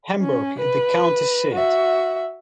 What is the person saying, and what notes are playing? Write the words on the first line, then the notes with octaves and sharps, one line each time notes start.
Hamburg is the county seat.
C#4
B4
F#4 E5